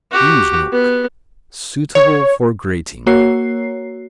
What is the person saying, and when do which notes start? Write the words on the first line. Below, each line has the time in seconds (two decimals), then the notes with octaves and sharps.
Ewe's milk; suitable for grating.
0.11 F#4 G4
0.72 B3
1.95 C#5
3.06 A#3 F#4 C#5 C7